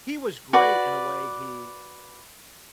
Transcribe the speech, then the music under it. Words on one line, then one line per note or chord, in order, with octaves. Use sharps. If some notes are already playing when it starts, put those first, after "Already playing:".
he was great in the way he
F#4 B4 D5